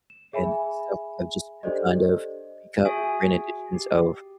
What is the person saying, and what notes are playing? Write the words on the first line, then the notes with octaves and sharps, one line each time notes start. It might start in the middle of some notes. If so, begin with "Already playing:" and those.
and stuff have just been kind of become re-editions of,
E7
G#4 E5 G#5 B5
D4 G4 A4 C5 D5 D#5
F#4 G#4 E5 G#5
G4